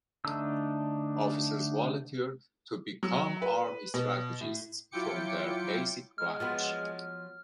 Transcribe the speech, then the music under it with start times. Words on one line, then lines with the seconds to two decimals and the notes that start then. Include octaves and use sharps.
Officers volunteer to become Army Strategists from their basic branch.
0.25 D3 A3 D4 D#4 E6
3.03 F#3
3.42 B4
3.94 B2
4.41 A2
4.91 F#3 E4 F4 G5 D6 C#7
6.18 G#3 F6
6.40 F3 F#3 B3